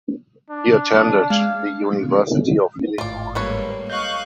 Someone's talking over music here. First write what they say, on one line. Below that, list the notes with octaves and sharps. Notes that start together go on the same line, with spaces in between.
He attended the University of Illinois.
D4
G#3 F5
G#1 A2 F4 D5
G3 G#3 A#3 A4 B4 C#5
D#5 F5 C#6 F#6 G6